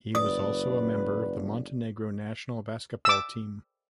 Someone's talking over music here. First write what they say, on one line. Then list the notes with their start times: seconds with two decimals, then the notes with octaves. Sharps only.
He was also member of the Montenegro national basketball team.
0.15 F#1 B4 D5 D#6
3.05 D6 E6